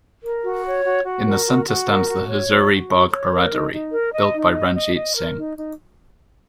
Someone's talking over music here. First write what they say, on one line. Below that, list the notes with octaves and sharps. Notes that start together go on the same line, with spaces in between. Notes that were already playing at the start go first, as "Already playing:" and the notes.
In the center stands the Hazuri Bagh Baradari, built by Ranjit Singh.
A#4
F#4
C#5
F#4
F#4
A#4
F#4
F#4
A#4
F#4
C#5
F#4
F#4
C#5
C#5
A#4
D#4
D#4
A#4
D#5
D#4
D#5
D#5
D#5
A#4
D#4
D#4